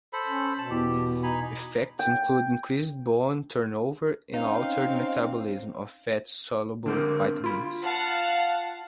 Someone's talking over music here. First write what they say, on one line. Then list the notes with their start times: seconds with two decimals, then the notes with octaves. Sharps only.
Effects include increased bone turnover and altered metabolism of fat-soluble vitamins.
0.13 A4 C5 B5
0.27 C#4
0.58 B2 A5
0.70 E2 G4
1.23 D#4 G#5 B5
1.99 G5
4.34 C4 C#4 D#4 F5
6.86 D3 A#3 C4
7.44 F4 B5
7.83 F5 F#5 A5